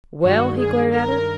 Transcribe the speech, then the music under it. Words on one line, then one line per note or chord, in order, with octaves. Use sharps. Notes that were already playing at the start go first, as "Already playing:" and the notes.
"Well?" he glared at her.
G2 D#3 G#3 F#4
G#4
A#4